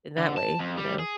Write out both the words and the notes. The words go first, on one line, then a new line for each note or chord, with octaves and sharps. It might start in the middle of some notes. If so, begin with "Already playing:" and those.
in that way. You know?
D3
A5
F2
G3
G#4